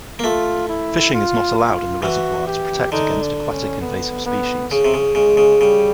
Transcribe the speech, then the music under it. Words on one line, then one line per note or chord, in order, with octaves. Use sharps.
Fishing is not allowed in the reservoir to protect against aquatic invasive species.
A#3
A3 F4
E4
F4
F4
E3 F#4
G4
D3 D#4
D4
C#4
B3
B3
C#3
C3
C#3
C#3 G#3
C#3
C#3 G3